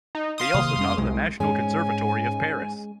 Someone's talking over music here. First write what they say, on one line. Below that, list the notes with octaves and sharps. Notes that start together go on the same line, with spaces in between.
He also taught at the National Conservatory of Paris.
D#4
F5 C6 D#6
C3 D#3 A#3
F2 G3 C#4
C2 G#3
G#2 G#3 C#4 G#5